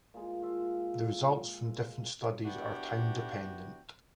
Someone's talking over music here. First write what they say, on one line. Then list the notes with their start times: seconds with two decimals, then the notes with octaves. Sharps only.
The results from different studies are time dependent.
0.14 A#2 G#3
0.42 F4 E5
2.44 B3 D4 E4 F#4 G4 G5